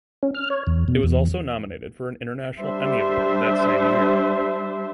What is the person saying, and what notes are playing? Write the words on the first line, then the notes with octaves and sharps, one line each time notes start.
It was also nominated for an International Emmy Award that same year.
C#4
F6
C#5
E2
B2
E2
G3 D4 C5 E5